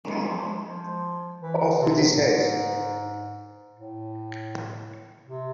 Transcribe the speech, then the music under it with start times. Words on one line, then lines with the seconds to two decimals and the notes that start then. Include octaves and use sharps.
Off with his head!
0.07 G#3
0.26 F3
0.44 G#3
0.64 F3
1.42 E3
1.61 D3
1.80 C3
1.99 A2
2.18 G#2
3.73 A2
5.28 C3